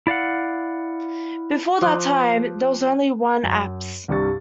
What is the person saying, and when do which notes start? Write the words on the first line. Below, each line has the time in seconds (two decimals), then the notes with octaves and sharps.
Before that time there was only one apse.
0.07 E4 D5 F5 F#5
1.81 F3 C5 C6 D6 D#6 F#6
3.43 F#2
4.08 C2 G2 C3 G4 C#6 A6